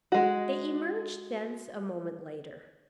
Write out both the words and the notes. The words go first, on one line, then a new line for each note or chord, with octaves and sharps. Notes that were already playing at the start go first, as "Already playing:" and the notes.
They emerged thence a moment later.
G#3 F#4